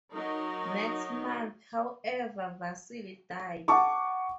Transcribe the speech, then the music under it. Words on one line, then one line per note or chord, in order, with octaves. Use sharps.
Next month, however, Vasily died.
F#3 D#4 A#4 D#5
F#5 A5 C#6 D6